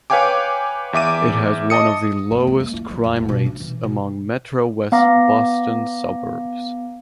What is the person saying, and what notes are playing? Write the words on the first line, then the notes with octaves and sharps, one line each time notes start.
It has one of the lowest crime rates among Metro-west Boston suburbs.
B4 C#5 F5 G5 G#5 D6
E2 E5 D6 D#7
D#5 A5 D#6 C#7
F#1
G#3
D#2
E4
F3
E2
E1
B2
D4
E3
B2
B3 F5 A#5 D6 A#6